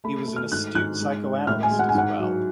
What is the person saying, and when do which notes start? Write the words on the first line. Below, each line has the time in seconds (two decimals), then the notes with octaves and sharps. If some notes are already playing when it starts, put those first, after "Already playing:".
He was an astute psychoanalyst as well.
0.04 A3 B5
0.27 A3
0.36 F6
0.52 G#2 F#6
0.75 G#2 F#6
0.99 G#3
1.23 G#3
1.47 A2 F6
1.63 G#5
1.70 G#3
1.79 F#5
1.89 G#5
1.95 G#2 F#5
2.19 F#3